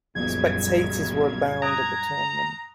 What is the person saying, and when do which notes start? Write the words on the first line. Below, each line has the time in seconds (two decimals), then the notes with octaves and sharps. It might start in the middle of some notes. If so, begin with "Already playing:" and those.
Spectators were abound at the tournament.
0.15 F#1 B1 F#2 A#2 F3 G3 G#6
1.62 A#5 D#6 F#6 D7